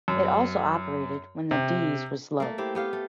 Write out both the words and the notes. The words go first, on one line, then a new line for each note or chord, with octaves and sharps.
It also operated when the Dieze was low.
F#2
C3
A3 A#3
C4 E4 G4
B3 G4 F5
A3